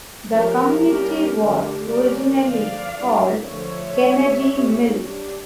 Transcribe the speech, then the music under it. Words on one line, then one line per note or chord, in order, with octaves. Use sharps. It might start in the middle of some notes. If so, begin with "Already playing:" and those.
The community was originally called Kennedy Mills.
F3 C#4 G4 A#4
G3 A#3 C#4 G4 A#4
D3 A3 D4 G4 A#4
G3 A#3 C#4 A#4 D5
D3 F3 A3 D5 F5
E3 G3 A#3 D4
D3 F3 A3 C#5 E5
G3 D4
G3 C#4
G3 D4